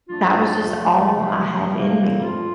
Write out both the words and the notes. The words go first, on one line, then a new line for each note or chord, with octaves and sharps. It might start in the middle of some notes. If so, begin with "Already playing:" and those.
that was just all I had in me,
G2 F3 A3 D4 F4
E2 C3 F3 A3
C3 F3 A3
C3 G3 A#3
G2 F3 C4 F4